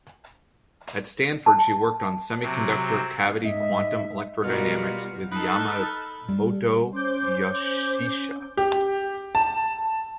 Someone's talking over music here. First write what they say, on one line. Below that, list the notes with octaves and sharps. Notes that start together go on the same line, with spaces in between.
At Stanford she worked on semiconductor cavity quantum electrodynamics with Yamamoto Yoshihisa.
A5
C3 F#3
G#2 D#5 E5
B2 G3 B3 F4 F#4 A#4
D#4 A4 B5 F#6
F6 F#6
G3
C#4 C5 D6 G6
G4
A5